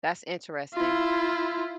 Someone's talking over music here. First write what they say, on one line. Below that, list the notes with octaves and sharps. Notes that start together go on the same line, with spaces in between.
That's interesting.
E4 F4